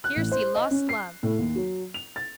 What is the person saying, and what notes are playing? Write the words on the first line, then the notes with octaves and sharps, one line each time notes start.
Here see lost love.
F#6
A1
C5
D#5
C#4
C7
A2
D#2
F#3
F7
A6